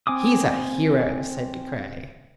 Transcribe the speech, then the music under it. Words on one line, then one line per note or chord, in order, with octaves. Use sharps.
"He's a hero!" said De Craye.
C4 G#5 D6 D#6